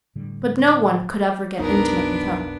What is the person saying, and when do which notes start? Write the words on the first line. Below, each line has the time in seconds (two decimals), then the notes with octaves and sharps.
But no one could ever get intimate with her.
0.16 A2 D3 G3
1.59 B1 F2 B3 D4 D#4 A#4